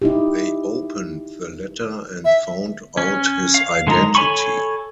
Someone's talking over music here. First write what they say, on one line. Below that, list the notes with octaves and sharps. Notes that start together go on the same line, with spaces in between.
They opened the letter and found out his identity.
D#4 E4 G4
E5
C#4
F5
D3 G#3 D#4 A#4 A#5
A4 C#5 G#5 B5 C#6